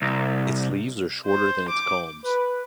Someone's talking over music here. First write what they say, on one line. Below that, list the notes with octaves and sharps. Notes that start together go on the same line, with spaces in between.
Its leaves are shorter than its culms.
C2
C5
D6
B4